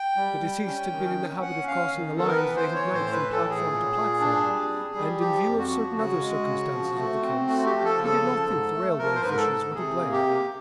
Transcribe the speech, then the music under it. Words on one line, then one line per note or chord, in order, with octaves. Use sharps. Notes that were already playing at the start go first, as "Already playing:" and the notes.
The deceased had been in the habit of crossing the lines late at night from platform to platform and, in view of certain other circumstances of the case, he did not think the railway officials were to blame.
Already playing: G5
G3
G3
C#4
D#3
C#4
C#4 F#5
C#4 F5
D#3
B3 A4
A#4
B4
E3
C5
E3
C#5
A2 C5
B4
E3
A4
A2
G#4
A#2
A#2
D4
G3
G3
G3
F3 G4
F2
F#4
F3
C#3 F#4
G#3
C#3
F3
A3
C4
A3 F#4
G4
F3
A4
C#3
A4
F3
G#2
A3
F3 A#4
C5
G#2 B4
A#4
A4
G#2
C3 G#4
A#3
G4
A#3